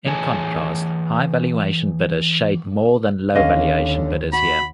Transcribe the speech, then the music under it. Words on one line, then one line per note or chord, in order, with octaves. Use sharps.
In contrast, high-valuation bidders shade more than low valuation bidders here.
E3 G#4 C#5 G#5 A5
D#2 D3 C#4 D#5 F5
F#4 B5